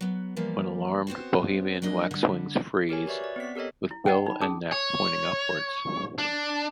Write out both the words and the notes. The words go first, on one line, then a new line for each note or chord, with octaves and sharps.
When alarmed, Bohemian waxwings "freeze" with bill and neck pointing upwards.
F#3 B3
E3 F3 G3 A#3
B3 C4 F#4 C5
F#3 A#3 D4 D#5
D3 G3
G4 A#4 C#5 G#5
F#4 B4 C#5 D5 E5 C#6
D5
B3 C4 B6
G4 A4 A#4 C#5 D#5
E4
D4 D#5 F#5 G5
D#4 B5
C#4 G#4 A4 A5 D6
C#5
D4